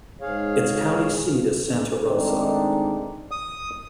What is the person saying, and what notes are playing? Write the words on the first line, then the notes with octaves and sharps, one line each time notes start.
Its county seat is Santa Rosa.
G#2 G#4 C#5 F5
D#3 G#3 A3 C4 D4 D#4
D#6